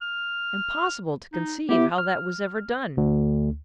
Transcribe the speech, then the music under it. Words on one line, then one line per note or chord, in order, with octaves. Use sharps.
Impossible to conceive how that was ever done....
F6
D#4
B3 E4 G4 E5
F6
D2